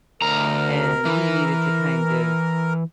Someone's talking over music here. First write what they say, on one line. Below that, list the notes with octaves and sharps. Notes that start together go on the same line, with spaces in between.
and he needed to kind of
D2 A#4 A#5
E3